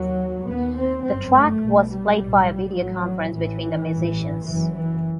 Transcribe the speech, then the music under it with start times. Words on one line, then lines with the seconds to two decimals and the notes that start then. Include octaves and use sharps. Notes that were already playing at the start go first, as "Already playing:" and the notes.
The track was played via video conference between the musicians.
Already playing: D#2 F#3
0.46 D#2 B3
0.74 C4
1.03 G1 F#2 C4
1.32 A3
1.60 B1 B2
1.88 G3
2.18 B1 A2
2.74 A1 A2 F#3
3.32 A1 A2 E3
3.88 A1 G2
4.44 F#1 F#2 E3
4.74 E3